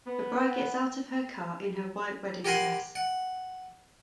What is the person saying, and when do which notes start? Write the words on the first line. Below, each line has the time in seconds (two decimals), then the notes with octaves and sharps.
A bride gets out of her car in her white wedding dress.
0.06 B3
2.45 G4 A#4 F#5 G#5 B5 C6
2.95 F#5